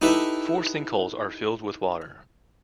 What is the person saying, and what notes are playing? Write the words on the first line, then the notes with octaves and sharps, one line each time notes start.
Four sinkholes are filled with water.
D#4 E4 G4 A4 B4 E5